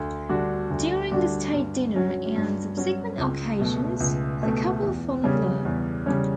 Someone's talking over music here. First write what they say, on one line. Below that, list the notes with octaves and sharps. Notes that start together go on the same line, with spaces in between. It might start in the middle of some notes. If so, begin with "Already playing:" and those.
During the State dinner and subsequent occasions, the couple fall in love.
Already playing: D2
D3 G3 D4 F#4
D2
D3 G3 D4 F#4
G2
F#3 C#4 F#4
G2
F#3 C#4 F#4
C#2
B2 A3
C#2
B2 A3
E2
C#3 G3 C#4
E2
C#3 G3 C#4